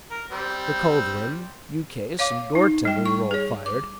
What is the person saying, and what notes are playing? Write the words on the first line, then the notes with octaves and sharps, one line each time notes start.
The culverin, ukase, and door-tender were all fired.
A#4
G3 C4
C#5 F5 D6
D#4
G3 G5
C#6
G#4 C#5
D6